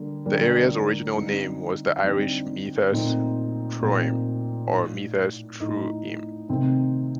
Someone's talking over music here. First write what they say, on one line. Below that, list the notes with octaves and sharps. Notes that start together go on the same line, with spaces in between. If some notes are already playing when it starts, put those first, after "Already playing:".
The area's original name was the Irish "Meathas Troim" or "Meathas Truim".
Already playing: D3 G3 A#3
D3 G3 A#3
D3 G3 C4 D#4
D3 G3 C4 D#4
A#2 A3 C4 D#4
A#2 A3 C4 D#4
A2 A3 D#4
A2 A3 D#4
C3 D#3 A3 C4 D#4